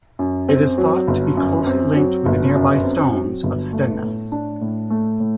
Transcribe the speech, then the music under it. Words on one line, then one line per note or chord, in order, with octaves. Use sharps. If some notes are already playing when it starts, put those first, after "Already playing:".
It is thought to be closely linked with the nearby Stones of Stenness.
F#2
C4
F#3
G1
F#2
C4
F#3
G1
F#2
C4
F#3
G1
A3
A2
D4
A2
A3
A2